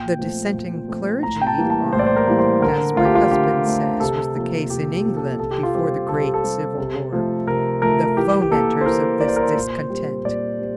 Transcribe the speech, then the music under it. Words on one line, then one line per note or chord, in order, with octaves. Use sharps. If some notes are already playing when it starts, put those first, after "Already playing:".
The dissenting clergy are, as my husband says was the case in England before the great civil war, the fomenters of this discontent.
Already playing: A#2 G5
F3 A3 C4
A#2
F3 A3 C4
A2 A#5
G5
A5
E3 G3 A#3
A5
A2 C5
D5
C5
A#4
E3 G3 A#3
C5
D3 A#4
A3 C4 F4
G4
F4
D3 G4
A3 C4
C3 A4
F3 A#3
C3 G4
G4
F3 A#3
A4
C3 A4
G4
F4
G3 C4 G4
C3 A4
G4
A4
G3 C4
C3
F3 A3
C3 A#4
F3 A3 A#4
E3 G4
G4
A#3 A4
C5
E3 A#4
A#3 D5
C5
A#4
C5
A#2
G3
C4
A#2 D5
G3 C4